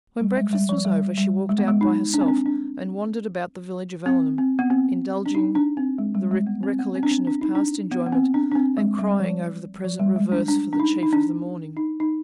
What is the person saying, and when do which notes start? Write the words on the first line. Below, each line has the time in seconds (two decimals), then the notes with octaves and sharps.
When breakfast was over she walked out by herself, and wandered about the village of Allenham, indulging the recollection of past enjoyment and crying over the present reverse for the chief of the morning.
0.21 G3
0.37 G#3
0.53 G3
0.69 F3
0.85 G3
1.17 G3
1.49 G#3
1.58 B3
1.68 G#3
1.81 D#4
2.14 D4
2.21 C4
2.28 D4
2.46 D4
4.06 C4
4.38 C4
4.59 B3
4.70 C4
5.26 D4
5.35 D#4
5.55 D4
5.77 C4
5.98 G#3
6.15 G3
6.31 G#3
6.47 B3
6.63 C4
6.79 B3
6.95 C4
7.03 D4
7.11 C4
7.27 D4
7.41 D#4
7.55 D4
7.91 B3
8.06 B3
8.12 C4
8.34 D4
8.52 D4
8.55 C4
8.77 G#3
8.99 G3
9.20 F3
9.84 F3
9.99 G3
10.16 G#3
10.32 D4
10.48 D4
10.73 D4
10.80 D#4
11.03 D#4
11.13 D4
11.77 D#4
12.00 D#4